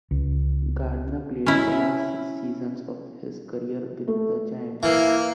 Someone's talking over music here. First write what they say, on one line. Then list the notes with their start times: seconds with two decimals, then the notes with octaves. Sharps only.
Gardner played the last six seasons of his career with the Giants.
0.11 C#2
1.46 C#4 E4
4.08 A3
4.83 E3 A#3